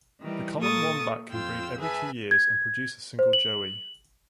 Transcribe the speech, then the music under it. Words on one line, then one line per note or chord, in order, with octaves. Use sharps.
The common wombat can breed every two years and produce a single joey.
D#3 E3 G3
A#2 A#3 A4 C#6 D#6 A6
F2 F4 G5 E6
G#4 B4 E5 G#5 A5
G#6
C5
F#7